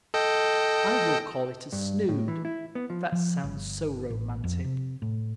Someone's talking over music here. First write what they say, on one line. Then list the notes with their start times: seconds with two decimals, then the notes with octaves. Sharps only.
I will call it a snood--that sounds so romantic.
0.14 A4 D#5 G5
1.72 G2
2.09 A2
2.28 E3
2.45 E4
2.75 B3
2.90 F3
3.12 F3
3.44 G1
4.10 A1
4.44 F2
4.64 C3
5.02 A2